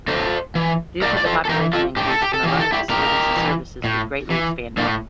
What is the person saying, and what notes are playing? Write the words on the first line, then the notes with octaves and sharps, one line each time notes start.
Due to the population increase, the Monona facilities and services was greatly expanded.
A2 A4 C5
E3
A2 A#4 D5
D5
A4 C5
A4
E3 G4 A#4
F4 A4
A2 G4
A4
G4
A4
E3 G4
A4
E4 G4
A2 G4 A#4
E3
A2
E3
A2 A#3 D4